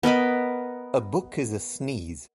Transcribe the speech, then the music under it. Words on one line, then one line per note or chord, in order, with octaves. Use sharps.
A book is a sneeze.
B3 A#4 D#5 B5